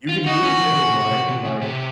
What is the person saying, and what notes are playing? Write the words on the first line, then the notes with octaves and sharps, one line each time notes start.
you can do a thing, right? And, like,
F4
D#4 F#4
C#4
F3
C3
C#3
C3
C3
C3
C#3
C3